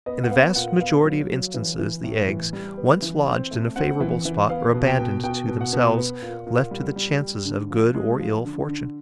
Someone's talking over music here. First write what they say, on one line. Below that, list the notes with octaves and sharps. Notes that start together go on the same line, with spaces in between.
In the vast majority of instances, the eggs, once lodged in a favourable spot, are abandoned to themselves, left to the chances of good or ill fortune.
B3 D#5
F#5
B3 F5
A#2 F#5
B3 F5
F#3
F#3
E3
E3
A2
E3
G3
B3
E3
C4
A3
C4 F#5
E3
E3
B3 F5
B2
G5
B2
B2 G5
B2
F#5
B2
B3
A#2
A#2
G3
G3
G3
D3
F3
G#3
F3
D3
D3